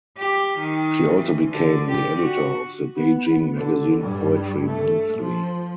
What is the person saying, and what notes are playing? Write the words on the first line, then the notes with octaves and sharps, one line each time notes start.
She also became the editor of the Beijing magazine "Poetry Monthly".
G4
D#3
E3
D3
G4
F#4
B3
D3
G2 G3
A3
F3